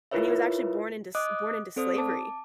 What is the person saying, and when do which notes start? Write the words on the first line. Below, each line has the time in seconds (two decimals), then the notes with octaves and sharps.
And he was actually born into s born into slavery,
0.11 E4 F4 A#4 B4 C#5 E5
1.15 D#5 D6 D#6 F#6
1.76 C4 A4 C5 D5 D#6
1.97 A5 D6